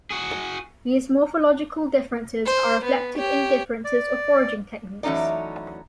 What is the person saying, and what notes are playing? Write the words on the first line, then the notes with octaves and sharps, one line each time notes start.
These morphological differences are reflected in differences of foraging techniques.
F#4 G#4
C5
B3
G4 C#5
D5
E3 F#3 A3 C#4 D#4 D5